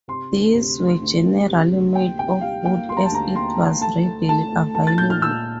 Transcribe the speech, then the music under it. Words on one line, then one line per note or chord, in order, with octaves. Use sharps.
These were generally made of wood, as it was readily available.
C3 C6
D2
C3
D2
D2
G3
C3
D2
A#3 G5
C3 G5
G3 F5
A#3 G5
G3 C6
A#5
A5
D2 A#5
A#3 C6
D2
A3 A5
A3
A3 A5
A3
A3 A5
A6
A#2 G6
F6
A#2 E6